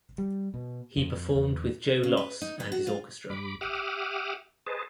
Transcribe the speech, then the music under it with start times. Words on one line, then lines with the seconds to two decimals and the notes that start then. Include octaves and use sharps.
He performed with Joe Loss and his orchestra.
0.18 G3
0.54 B2
0.97 F2
1.35 E2
2.03 C#3
2.17 B4
2.42 D#4
2.60 B3
2.72 F#4
2.87 F4
3.30 G2 B5 D6
3.61 G4 E5 F#5 D6 D#6 F6
4.66 G#4 B4 C5 D#5 A5